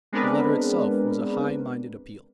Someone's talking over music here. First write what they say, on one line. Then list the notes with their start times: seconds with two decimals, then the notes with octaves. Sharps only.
The letter itself was a high minded appeal . . . .
0.12 G#3 B3 C4 D4 A#4 B4